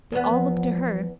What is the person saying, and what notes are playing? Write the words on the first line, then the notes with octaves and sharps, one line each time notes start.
They all looked to her.
E2 B3
F3